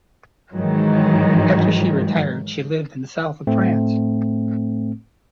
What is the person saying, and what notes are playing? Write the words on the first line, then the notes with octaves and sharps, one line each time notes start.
After she retired she lived in the south of France.
G#2 D#3 E3 F#3
A2 A3 C4